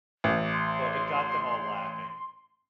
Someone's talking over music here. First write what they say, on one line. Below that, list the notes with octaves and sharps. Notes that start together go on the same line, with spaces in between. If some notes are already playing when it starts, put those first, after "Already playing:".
but it got them all laughing.
A1
C6